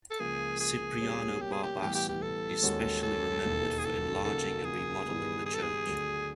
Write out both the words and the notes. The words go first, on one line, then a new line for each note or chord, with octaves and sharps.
Cipriano Barbasan is specially remembered for enlarging and remodeling the church.
A4
C#2 C#3 F3 A#3 G#4
G#4
B2 G3 A#3 C#4
G4
G#4
G4
A2 E3 G3 B3 G4
G4
G4
A4
D#2 D#3 G#3 C#4 F#4
A4
E1 D#2 D#3
G#4
A4
C#3 F#3 A#3 D#4 F#4 A4
G#4
G2 D#3 G3 B3
G#4
A4
G#4
D2 D3 F#3